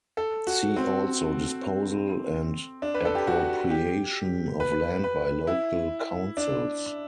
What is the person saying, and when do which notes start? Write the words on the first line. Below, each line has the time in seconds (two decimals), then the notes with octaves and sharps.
See also Disposal and Appropriation of Land by Local Councils.
0.17 A4
0.47 F#4
0.76 C4
2.82 D4
2.94 B4
3.05 A4
3.15 G4
3.27 F#4
3.71 G4
4.60 B4
5.04 B4
5.47 E4
6.37 D4